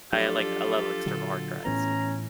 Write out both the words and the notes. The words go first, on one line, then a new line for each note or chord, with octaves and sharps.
I like, I love external hard drives, like,
F3 F#3 D4 F4 G4 A4
A#2 D3 F#3
A2 E3 B3 C#4 A#5